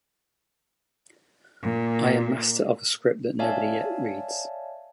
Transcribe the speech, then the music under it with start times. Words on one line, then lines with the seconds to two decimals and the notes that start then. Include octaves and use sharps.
I am master of a script that nobody yet reads.
1.62 A#2
3.39 C#5 D5 E5 F5 G#5 A5